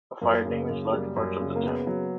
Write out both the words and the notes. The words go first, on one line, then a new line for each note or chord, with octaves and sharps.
A fire damaged large parts of the town.
F#2 A#3
C#3
F#2
G3
F#2
C#3
A#3
C#3 B3
F#3